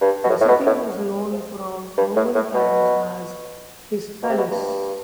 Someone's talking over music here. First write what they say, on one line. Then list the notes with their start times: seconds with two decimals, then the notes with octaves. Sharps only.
The city was known from Roman times as "Hispalis".
0.01 G2
0.24 B2
0.29 A2
0.40 A2
0.48 B2
0.66 A2
1.98 G2
2.16 A2
2.35 A2
2.54 B2
4.22 B2
4.29 C3
4.37 B2
4.51 G2